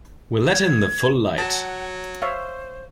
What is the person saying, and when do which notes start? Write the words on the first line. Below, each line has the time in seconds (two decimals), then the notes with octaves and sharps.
We'll let in the full light.
0.50 G#6
1.38 F#3 F#5 A5
2.22 C5 C#5 E5 F5